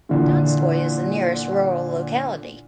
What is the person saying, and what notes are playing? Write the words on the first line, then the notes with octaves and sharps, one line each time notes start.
Donskoy is the nearest rural locality.
A#2 D3 E3